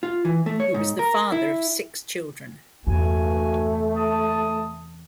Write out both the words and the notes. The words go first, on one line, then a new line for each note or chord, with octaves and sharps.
He was the father of six children.
F4
E3
A3
C#5
G#2
A#4
E4
E2 G2 C3 A3 F#4 G#5
A5 D#6